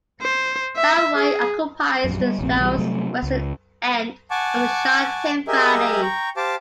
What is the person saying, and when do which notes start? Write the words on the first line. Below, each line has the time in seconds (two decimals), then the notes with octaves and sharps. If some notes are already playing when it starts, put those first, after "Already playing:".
Tai Wai occupies the southwestern end of the Sha Tin Valley.
0.22 C5
0.77 E5
1.15 G#4
2.04 A#1 F#2
2.19 G3 B3
2.38 F1 A#1 C4
2.58 B1 E3 G3
2.78 C3 F#3 G3 A3
3.23 C#2
4.31 F#5 G#5 A5 C#6 D6
5.48 G4 G#4 A#4 D#5 E5
6.02 G5 A#5 C#6
6.37 G4 C5 F5 A5 D6